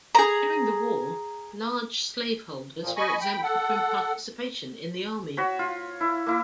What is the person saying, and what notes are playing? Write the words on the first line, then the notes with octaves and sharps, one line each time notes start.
During the war, large slaveholders were exempted from participation in the army.
G#4 A#5
A#2 F3
D#5 G#5 B5 C#6
G5 B5
A4 F#5
F#4 C#5 B5
F4
E4
A#3 E4